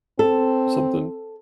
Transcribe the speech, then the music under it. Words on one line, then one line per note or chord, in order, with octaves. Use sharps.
or something?
C4 A4